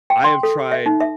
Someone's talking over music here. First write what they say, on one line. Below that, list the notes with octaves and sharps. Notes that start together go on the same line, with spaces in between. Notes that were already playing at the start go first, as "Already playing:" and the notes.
I have tried
G5
C6
A4
E5
D#4
E5